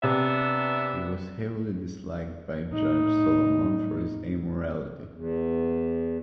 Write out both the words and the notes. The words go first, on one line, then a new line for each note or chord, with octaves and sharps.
He was heavily disliked by Judge Solomon for his amorality.
C3 B3 D4 E5
A2 D#4
E2